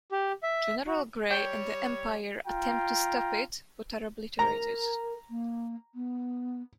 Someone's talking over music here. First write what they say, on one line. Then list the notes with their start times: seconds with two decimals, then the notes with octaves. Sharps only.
General Gray and the empire attempt to stop it, but are obliterated.
0.12 G4
0.43 E5
0.88 F#4
1.31 G3 C#5 G5
2.47 F4 G5 A#5
4.39 A#4 A#5
5.30 A#3
5.95 B3